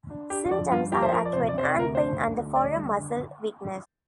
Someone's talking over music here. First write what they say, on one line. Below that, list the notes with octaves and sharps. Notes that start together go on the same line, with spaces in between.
Symptoms are acute hand pain and forearm muscle weakness.
D4
D4 G4
F3 D5
G2 F4
F3 G4
C5
F3 A#4
D5
C3 C5
D5
C3 C5
D5
D2
A#4
D4 C5
D4
D2
D3 D5
G3
D3